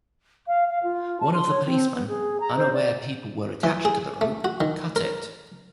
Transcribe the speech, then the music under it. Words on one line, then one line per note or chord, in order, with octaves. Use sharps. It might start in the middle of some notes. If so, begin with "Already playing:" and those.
One of the policemen, unaware people were attached to the rope, cut it.
F5
F5
F4
A5
C6
C#5
C4
B3
G#4
A#5
C5
D5
E3
G#4
A3
F#4
D#3
A#4